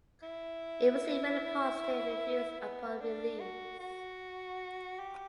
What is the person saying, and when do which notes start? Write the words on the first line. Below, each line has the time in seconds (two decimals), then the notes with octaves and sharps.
It received many positive reviews upon release.
0.22 E4
2.61 B3
3.01 D4
3.40 F#4
3.79 F#4
4.99 G4